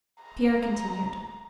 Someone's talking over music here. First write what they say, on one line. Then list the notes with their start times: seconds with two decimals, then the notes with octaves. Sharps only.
Pierre continued.
0.24 A#5